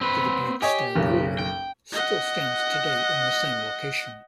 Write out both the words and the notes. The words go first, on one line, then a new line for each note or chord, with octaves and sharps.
The Dubuque Star Brewery still stands today in the same location.
C4 B4
G4 C#5 D#5 G#5
F#1 B1
G5
D#5 F#5